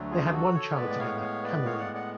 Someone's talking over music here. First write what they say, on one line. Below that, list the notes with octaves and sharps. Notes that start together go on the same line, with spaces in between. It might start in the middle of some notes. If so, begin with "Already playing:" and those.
They had one child together, Cameron.
Already playing: D2 D3 F#3 A3
F4 G#4
F#4 A4
A4 C#5
A2 G#3 B3 B4 D5
D5
C#5 F5
C#5 F5
B4 D5
C#5 F5
D5 F#5
D5 F#5